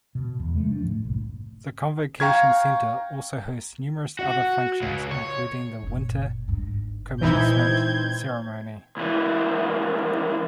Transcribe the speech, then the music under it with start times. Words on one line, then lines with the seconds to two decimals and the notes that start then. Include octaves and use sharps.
The Convocation Center also hosts numerous other functions including the winter commencement ceremony.
0.15 B2
0.40 E2
0.55 C#3 G#3 A3
0.69 F3 D4
0.85 A2 A3
1.04 F#1 C2
2.20 F5 G5 A#5 C#6 F6 G#6
4.19 F#4
4.82 C#2
5.11 C#5
5.83 F#1 A#2
6.48 G1 G#2
7.21 A#2 E3 G#3 C4 D#4 E4 G6 G#6
8.97 C#2 E3